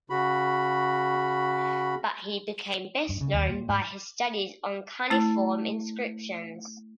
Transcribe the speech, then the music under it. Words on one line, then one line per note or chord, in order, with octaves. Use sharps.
But he became best known by his studies on cuneiform inscriptions.
C#3 F#4 B5
G2
C#3
D#2
A#2
G#2
A3 E4 A6